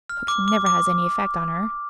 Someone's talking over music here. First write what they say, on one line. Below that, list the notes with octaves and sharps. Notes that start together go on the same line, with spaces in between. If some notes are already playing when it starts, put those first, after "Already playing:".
"Coaxing never has any effect on her."
F6
D6
D6
D6